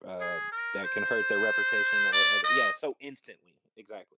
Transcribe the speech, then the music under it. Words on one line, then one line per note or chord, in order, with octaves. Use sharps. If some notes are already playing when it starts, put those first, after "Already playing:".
uh, that can hurt their reputation or other Yeah, so instantly, exactly.
G#4
A#4
C5
D5
D#5